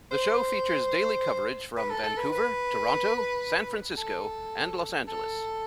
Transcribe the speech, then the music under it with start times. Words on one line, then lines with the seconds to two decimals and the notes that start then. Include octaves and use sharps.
The show features daily coverage from Vancouver, Toronto, San Francisco and Los Angeles.
0.11 C5
1.77 B4
1.90 A4
2.04 A4
2.17 B4
2.32 B4
3.98 A4
5.08 A4